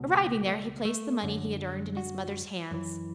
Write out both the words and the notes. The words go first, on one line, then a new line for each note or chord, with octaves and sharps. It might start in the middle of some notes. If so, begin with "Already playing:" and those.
Arriving there he placed the money he had earned in his mother's hands.
Already playing: C#2 B2
A3
A3
F#2 D3
F#4
F#2 E3